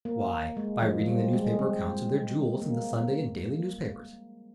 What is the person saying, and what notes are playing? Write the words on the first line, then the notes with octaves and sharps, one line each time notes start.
Why, by reading the newspaper accounts of their jewels in the Sunday and daily newspapers.
A#3
G#3
F3
F3
G3
G#3
C4
A#3